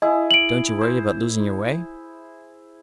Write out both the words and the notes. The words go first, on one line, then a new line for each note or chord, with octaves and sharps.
"Don't you worry about losing your way?"
E4 G#4 D#5
D7 F#7
C5